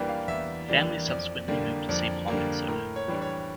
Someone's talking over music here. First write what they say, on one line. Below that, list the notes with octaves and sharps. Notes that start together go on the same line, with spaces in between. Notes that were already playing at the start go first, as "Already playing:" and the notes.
The family subsequently moved to Saint Paul, Minnesota.
Already playing: E2 E3 G3 A#3 D4 G5 A#5
F5
E2 E5
E3 G3 A#3 D4
F2 D5
D3 G3 A#3
F2 D5
D3 G3 A#3
A2 A#4
C#5
E3 G3 D4
C#5